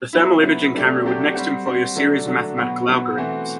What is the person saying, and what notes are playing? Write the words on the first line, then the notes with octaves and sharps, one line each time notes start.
The thermal imaging camera would next employ a series of mathematical algorithms.
F#3 B3 E4
F#3 B3 E4
C3 F#3 A3 D4 G4
C3 F#3 A3 D4 G4
G3 C4 F#4
G3 C4 F#4
D3 F#3 A3 D4
D3 F#3 A3 D4
B2 F#3 B3 F#4
B2 F#3 B3 F#4
E3 A3 C4 F#4